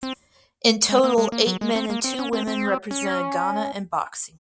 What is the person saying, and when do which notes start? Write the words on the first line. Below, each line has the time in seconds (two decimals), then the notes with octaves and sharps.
In total eight men and two women represented Ghana in boxing.
0.03 C4
0.89 G#3
1.04 A#3
1.18 G#3
1.32 A#3
1.47 F#3
1.61 G#3
1.75 C4
1.90 A#3
2.04 C4
2.19 C#4
2.33 C4
2.47 C4
2.91 C#4